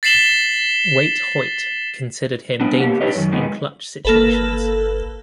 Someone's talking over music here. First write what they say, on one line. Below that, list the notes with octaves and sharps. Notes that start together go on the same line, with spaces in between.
Waite Hoyt considered him dangerous in clutch situations.
A6 B6 C7 E7 F#7 G7
B3 D4
A#3 B3 G4
D4 D#4 G4 B4 C#5 D#5
F#2 D#3
F2 D#3 G#3 B3 D#4
G1 A#3 A4 B4